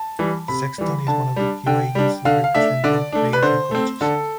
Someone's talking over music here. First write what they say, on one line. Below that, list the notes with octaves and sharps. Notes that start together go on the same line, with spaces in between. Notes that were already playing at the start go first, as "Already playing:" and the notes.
Sexton is one of the few agents to represent both players and coaches.
Already playing: A5
E3 G3
C3 B5
E3 G3
D3 A5
G3 D4
D3 G5
G3 D4
D3 F5
F5
A3 D4 E5
D3 D5
A3 D4
B4
D3 C5
A3 C4
D3 A4